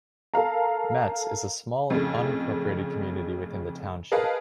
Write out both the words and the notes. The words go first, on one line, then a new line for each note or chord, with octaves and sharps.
Metz is a small unincorporated community within the township.
A4 A#4 F5 A#5
F2 A2 C#3
G#4 A#4 B4 D#5 F5 A5